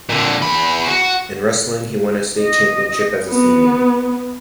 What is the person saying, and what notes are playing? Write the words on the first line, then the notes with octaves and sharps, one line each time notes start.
In wrestling, he won a state championship as a senior.
A#2 D3
E2 B5
F#4
D#5
B3